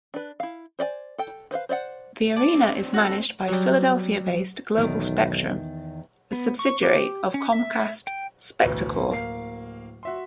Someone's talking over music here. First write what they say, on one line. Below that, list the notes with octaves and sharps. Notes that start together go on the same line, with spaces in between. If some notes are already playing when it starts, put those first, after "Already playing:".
The arena is managed by Philadelphia-based Global Spectrum, a subsidiary of Comcast Spectacor.
D4 B4
E4 F5
C5 D5 D#5 G#5
A4 G5
B4 C5 D5 F5
C5 D5 E5 F#5
D5 A5
C4 D4
F#4 A4
F#3 G3
B1 E2 D#3
B3
C#6
G4
C#4
E5
G5
A1 D2 B2
D1 A#3 F5 C7
F#4 E5 C6